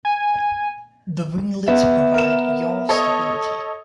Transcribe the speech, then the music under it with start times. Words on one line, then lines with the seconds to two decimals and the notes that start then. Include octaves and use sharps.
The winglets provide yaw stability.
0.05 G#5
1.68 B3 E5
2.14 A#4 E7
2.89 A4 C#5 D#5